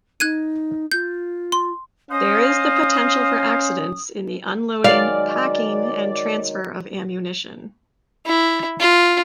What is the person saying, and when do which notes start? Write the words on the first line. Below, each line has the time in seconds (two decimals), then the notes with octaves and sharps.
There is the potential for accidents in the unloading, packing, and transfer of ammunition.
0.20 D#4 F#6 G#6 D#7
0.92 F4 G6
1.52 C6
2.11 C#4 C5 D#5 F5 D#6
4.84 D#3 F#3 G#3 D5 F5
8.26 E4
8.80 F4